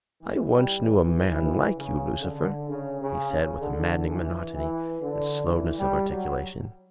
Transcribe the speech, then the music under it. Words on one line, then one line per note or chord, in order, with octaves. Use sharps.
"I once knew a man like you, Lucifer," he said, with a maddening monotony and slowness of articulation.
E3
G3
E3
E3
C#3
D3
C#3
C#3
C#3
D3
E3
E3
D3
E3
G3
F#3